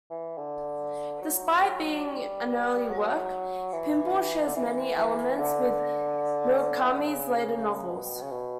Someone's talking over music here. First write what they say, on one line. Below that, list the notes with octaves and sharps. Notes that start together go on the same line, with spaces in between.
Despite being an early work, "Pinball" shares many elements with Murakami's later novels.
E3
D3
F#3
G3
F#3
E3
D3
E3
E3
D3
E3
D3
C#3
B2
C#3
B2